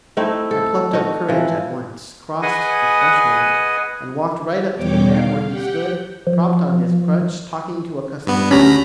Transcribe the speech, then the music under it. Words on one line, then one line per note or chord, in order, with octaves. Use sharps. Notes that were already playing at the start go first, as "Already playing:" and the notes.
I plucked up courage at once, crossed the threshold, and walked right up to the man where he stood, propped on his crutch, talking to a customer.
A3 C4 D#4 E4
A4
D#4 F#4
E3 F3
G#4 B4 D#5 F#5 G#5
E2 B2 G3 C#5 G5 D6
F5
G4 F#5 G5
F3
G2 B3
D2 C#4 G4 A#5 B5